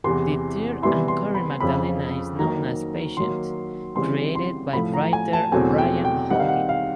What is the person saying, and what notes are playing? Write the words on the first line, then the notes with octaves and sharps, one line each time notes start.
The third and current Magdalena is known as Patience, created by writer Brian Holguin.
E2 C3 E3 C6
C3 E3 G3 B3 E4 C6
C6
B5
F2 C#3 F3 B5
D#3 F#3 A#3 A#5
D#3 F#3 A#3 C6
C#3 E3 G3 C4 C6
C6
A2 F3 A3 B5
A#5
G#5
A5
E2 B2 F#3 A3 C4 G#5
G5
G5
D#3 G3 C4 D#4 F#5
F5
F#5
F5